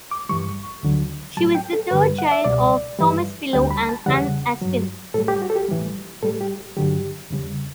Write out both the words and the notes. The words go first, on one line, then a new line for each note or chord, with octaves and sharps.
She was the third child of Thomas Pillow and Ann Aspin.
D6
G2 E3 G3 C#6
D2 D3 F#3
A2 F#3 A5
G5
A4
G2 D3 G3 B4
F#5
E5
C#2 B2 G3 D5
G2 E3 G3
D2 D3 G3 G5
B5
A5
E2 C#3 E3 G3 F#5
G2 F#3
A2 G3 A4
G4
F#4
A4
G4
A2 E3 G3
A2 G3 A4
G4
G2 D3 F#3 G4
E2 C#3 G3